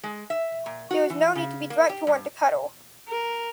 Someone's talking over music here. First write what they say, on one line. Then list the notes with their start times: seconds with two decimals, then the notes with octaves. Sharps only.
There is no need to be drunk to want to cuddle.
0.03 G#3
0.30 E5
0.66 A#2
0.91 F#4
1.10 E3
1.35 C#3
1.70 A#3
1.89 G4
2.07 G2
3.08 A#4